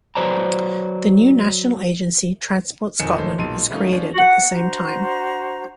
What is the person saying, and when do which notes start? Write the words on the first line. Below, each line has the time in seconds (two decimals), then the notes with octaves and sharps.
The new national agency Transport Scotland was created at the same time.
0.15 F#3 B4 C5 D5 A5 A#5
2.99 E1 F2 D#3 G#5 C#7 E7
3.18 D#1 A1 D#3 A4 C5
3.38 B1 A#2 G#3 A5 C6 D#7
3.70 D#3 G3 A3 C#4 D#4 F4
3.92 F3 C#4 D4
4.51 D4 F#4 C5 A#5